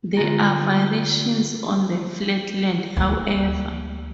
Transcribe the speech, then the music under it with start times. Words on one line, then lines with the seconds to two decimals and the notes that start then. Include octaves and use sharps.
There are variations on the flatland, however.
0.17 D3 G#3 B3 F4 A#5
2.97 D2 A#3